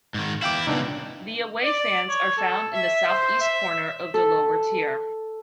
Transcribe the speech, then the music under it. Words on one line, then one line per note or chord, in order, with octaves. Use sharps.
The away fans are found in the south-east corner of the lower tier.
G#2 D#3
E2 E4 F5 G5 D6
C#2 A#2 B3 D4 D#4
D5
C#5
A4
E5
C5
E5
A4